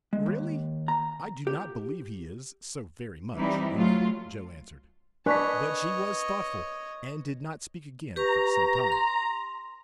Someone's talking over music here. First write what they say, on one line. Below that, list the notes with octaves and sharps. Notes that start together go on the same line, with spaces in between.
"Really, I do not believe he is--so very much, you know," Joe answered. But she was thoughtful, and did not speak again for some time.
G#3
D#2
A#5
G4
E3 G3 C4 D#4 E4
F#3 A3 F4
D4 B4 C#5 D#5 G#5 C#6 B6
G4 B4 A#5 C#6
C6